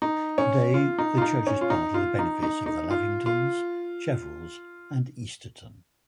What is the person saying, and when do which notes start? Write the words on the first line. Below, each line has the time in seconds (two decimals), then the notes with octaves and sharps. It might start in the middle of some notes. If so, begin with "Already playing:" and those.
Today the church is part of the benefice of the Lavingtons, Cheverells and Easterton.
0.02 D#4
0.38 C#4
0.74 F4
0.98 D#4
1.18 F4
1.22 D#4
1.47 C#4
1.61 F4
1.70 D#4
1.94 F4
2.19 D#4
2.43 D#4
2.66 D#4
2.91 F4
3.26 F4